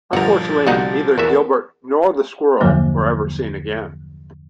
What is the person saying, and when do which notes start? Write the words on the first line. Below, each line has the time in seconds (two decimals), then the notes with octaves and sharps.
Unfortunately, neither Gilbert nor the "Squirrel" were ever seen again.
0.13 G1 A#2 F3 F#5 A#5
0.67 C2 D3 B3 D#4 F#4 F#5
1.18 E2 F#4 A#4 E5
2.61 E2 G2 D3 F3 F#3 A#3